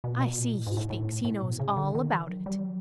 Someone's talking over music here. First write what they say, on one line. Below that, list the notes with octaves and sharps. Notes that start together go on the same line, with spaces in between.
I see he thinks he knows all about it.'
B2
A#2
B2
A#2
A2
G#2
A2
A2
A2
B2
C#3
D3
D#3
E3
F#3
G3
F#3